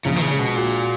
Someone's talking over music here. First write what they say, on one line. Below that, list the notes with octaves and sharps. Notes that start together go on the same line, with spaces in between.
No one answered.
A#1 C#3
D#3
C#3
G#3
B2
A#2 F#4
F#4